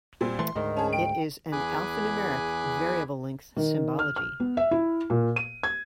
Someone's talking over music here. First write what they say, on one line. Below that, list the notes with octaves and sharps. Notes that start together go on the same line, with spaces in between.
It is an alphanumeric, variable length symbology.
A#2 G3 C4
E3 A3 C6
D2 G#2 D#3
C#4 G#4 A5
G5 D7
E2 G#4 G#5 B5 D6 F#6
D#3
F6
F6
B3
E5
E4
A#2
D#7
G#6